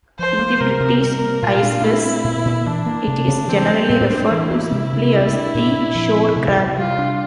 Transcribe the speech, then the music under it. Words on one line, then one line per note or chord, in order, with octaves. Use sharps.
In the British Isles, it is generally referred to simply as the "shore crab".
F3 C5
A#3
C3 A#4
C3
G3 A#4
A#3
A#2 F4
D4
A3 E4
C4
A#2
A#2
E3 D4
A#3
C3
C3
E3 C4
G3
A2 C4
D4
E3 E4
A#3
C3
C3
A3
D4
A#2
A#2
F3
C4
C3
C3
G3 F4
D4